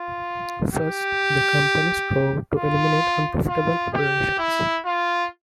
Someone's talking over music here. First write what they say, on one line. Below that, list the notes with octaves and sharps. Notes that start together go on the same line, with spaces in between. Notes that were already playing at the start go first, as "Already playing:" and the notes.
First, the company strove to eliminate unprofitable operations.
Already playing: F4
G4
F4
F4
G4
E4
F4